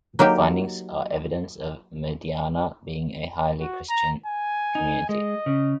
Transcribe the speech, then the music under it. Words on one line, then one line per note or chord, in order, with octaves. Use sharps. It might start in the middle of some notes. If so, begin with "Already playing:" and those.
The findings are evidence of Mediana being a highly Christian community.
F#3 A#3 D#4 G4
F#4
A#5
G#5
D#4
G#3 D#5
C#3